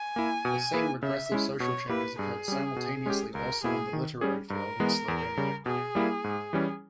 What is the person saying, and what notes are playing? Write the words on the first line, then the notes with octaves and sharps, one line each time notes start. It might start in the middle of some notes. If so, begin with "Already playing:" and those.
The same regressive social changes occurred simultaneously also in the literary field in Slovenia.
Already playing: G#5
A#3 E4
B2
A#3 E4 G#4 B4
C#3 E5
G#3 C#4 E4
B2 C#5
A#3 E4 G4 B4
G2 G#4
G3 C#4
B2
G#3 C#4 G4
C#2 A#4
B2 A#3 E4 G#4
D#3
G3 C#4 G#4
G2 A#4
E3 G#3 B3
E2
C#3 G3
B2 G#4
G3 A#3 E4
G#2
E3 G3 C#4